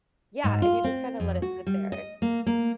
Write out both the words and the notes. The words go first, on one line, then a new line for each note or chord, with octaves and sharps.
Yeah, and you just, kinda let it sit there.
G#2
F4
C4
F2
F#4
G3
D#5
A#3
A#3